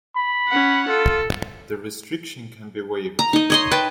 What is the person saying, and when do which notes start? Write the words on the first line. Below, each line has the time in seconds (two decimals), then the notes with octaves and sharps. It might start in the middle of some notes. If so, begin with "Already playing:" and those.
The restriction can be waived.
0.17 B5
0.49 C#4 F#5
0.89 F4 A4
3.19 A#5
3.33 D#4 D#5
3.50 C#5 D#5 C6
3.71 B4 G5 A5